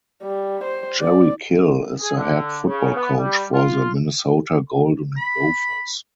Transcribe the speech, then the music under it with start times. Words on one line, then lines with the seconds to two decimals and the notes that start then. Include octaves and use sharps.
Jerry Kill is the head football coach for the Minnesota Golden Gophers.
0.22 G3
0.64 C5
1.00 D5
2.01 G#4
2.16 D3
2.66 C#3
2.96 B3
3.18 G3
3.52 F4
5.17 B5